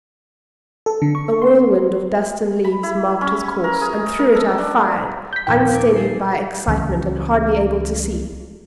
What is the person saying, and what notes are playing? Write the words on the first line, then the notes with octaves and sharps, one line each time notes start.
A whirlwind of dust and leaves marked his course, and through it I fired, unsteadied by excitement and hardly able to see.
A4
D3
C#6
C6
B5
E4
C#4
A#4
G#4
A#4
A4
D4
G6 B6
A#1 D#2 A#2 G5
G#5 D6
G#4 A4 C7
C#2 E3 F3 C#4